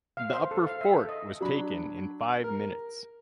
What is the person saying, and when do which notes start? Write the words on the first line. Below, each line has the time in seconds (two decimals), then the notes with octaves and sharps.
The upper fort was taken in five minutes.
0.17 F5
0.33 C5
0.51 A4
0.67 F5
0.81 E5
0.94 A4
1.09 D#5
1.40 F#3 D4 B5
2.44 A#4